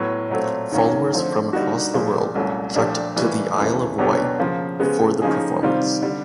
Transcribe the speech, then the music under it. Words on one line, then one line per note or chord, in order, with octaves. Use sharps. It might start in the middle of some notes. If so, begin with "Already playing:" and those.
Followers from across the world trekked to the Isle of Wight for the performance.
Already playing: A2 F#3 B3
A#2 F#3 A3 C4
G#2 D#3 F#3 A#3 C#4
D3 F3 A3 C4
D3 G3 A#3 D#4 F#4
A#2 F3 G#3
C2 A#2 F#3 A3 C#4
A#2 F3 A3 D4 G4
A2 E3 G3 A#3
D#2 C#3 E3 A3
B2 F#3 B3 D4 G4
C#3 F3 A#3
C#3 F3 G#3 B3
C#3 F3 A#3 D#4 G#4
C3 D#3 G3 C4 F4
D3 G3